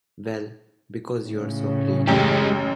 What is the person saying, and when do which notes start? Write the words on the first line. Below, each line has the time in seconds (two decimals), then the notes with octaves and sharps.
Well, because you're so clean.
1.23 A2 C#3
2.08 A1 F#2 G#3 G4 G5